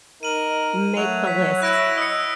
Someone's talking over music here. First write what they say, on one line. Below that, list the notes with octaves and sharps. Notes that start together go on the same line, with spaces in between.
make the list
D#4 A#4 D#7 F#7
F#3 A3 F7
C#5 B6
E4 F#6 A#6 D7
D#5 E6 C#7